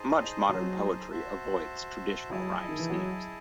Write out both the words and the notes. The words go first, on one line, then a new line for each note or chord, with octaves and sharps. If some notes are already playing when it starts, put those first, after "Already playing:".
Much modern poetry avoids traditional rhyme schemes.
Already playing: D#4 G#4 C5 D#5 A5
F#3
F#4 C5 E5 A5
F#3 E4 G#4 D#5 A5
D#3
E3
F#3